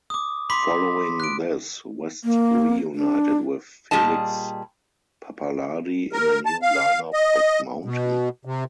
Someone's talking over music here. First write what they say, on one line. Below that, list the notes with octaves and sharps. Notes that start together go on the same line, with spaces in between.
Following this, West reunited with Felix Pappalardi in a new line-up of Mountain.
D6 D#6
B5 C6 D6 B6
F#6 D7
A#3
D4
A#2 G3 G#4 D#5 A5
A#4
A5
F5
D#5
B2
C3